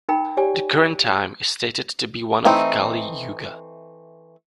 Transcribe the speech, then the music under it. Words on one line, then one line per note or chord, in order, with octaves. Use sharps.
The current time is stated to be one of "kali yuga".
D#4 A#4 G5 B5
G4 C#5 D5 G#5
E3 A3 C4 D#4